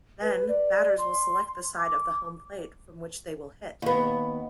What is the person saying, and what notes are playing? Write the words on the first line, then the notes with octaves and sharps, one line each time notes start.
Then, batters will select the side of home plate from which they will hit.
B4
D5
C6
D6
D#2 B3